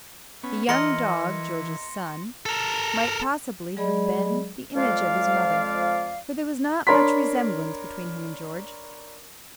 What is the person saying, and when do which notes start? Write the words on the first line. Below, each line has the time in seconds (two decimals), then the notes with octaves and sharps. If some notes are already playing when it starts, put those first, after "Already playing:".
The young dog, George's son, might possibly have been the image of his mother, for there was not much resemblance between him and George.
0.43 B3 C#4
0.69 E3 A#4 D#5 C6 A#6 C#7
2.46 A4 A#4
3.77 F#3 G#3 G#4 D5 D#5 B5
4.76 F2 F3 G#3 D5 F5
6.87 D4 A#4 C#5 B5 C6 B6